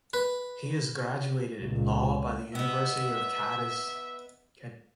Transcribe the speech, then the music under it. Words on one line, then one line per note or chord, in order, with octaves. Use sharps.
He is graduated in law by the University of Cadiz.
B4
C#2 A#2
B3 D#5 E5